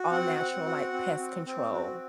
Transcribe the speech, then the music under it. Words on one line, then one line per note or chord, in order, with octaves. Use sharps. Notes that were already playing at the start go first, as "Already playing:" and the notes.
all-natural, like, pest control
Already playing: F#4
C4 F#5
C4
F#4
C4
C4
C4
F#4